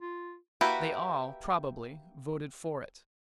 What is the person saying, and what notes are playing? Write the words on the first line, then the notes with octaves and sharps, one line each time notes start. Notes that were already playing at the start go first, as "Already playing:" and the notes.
They all, probably, voted for it.
F4
A#3 E4 F#4 G4 B4